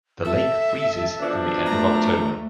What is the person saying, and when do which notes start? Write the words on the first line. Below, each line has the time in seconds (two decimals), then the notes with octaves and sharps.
The lake freezes from the end of October.
0.25 A4 E5
1.20 B2 F3 D4
1.66 A3 A#5